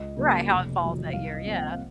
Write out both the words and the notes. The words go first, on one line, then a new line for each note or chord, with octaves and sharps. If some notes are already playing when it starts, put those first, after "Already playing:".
Right, how it falls that year, yeah.
Already playing: C#2 D#5
C#3 F#3 A#3
F1
F2 D#3 F#3
C2 F5
D#5
C3 F3 A#3
F#5
F5